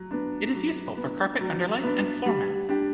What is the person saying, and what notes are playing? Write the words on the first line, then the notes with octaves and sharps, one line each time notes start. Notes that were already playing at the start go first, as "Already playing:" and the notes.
It is useful for carpet underlay and floor mats.
Already playing: F#3
B3 D4
F#3
B3 D4
F#3
B3 D4
G3
D4 G4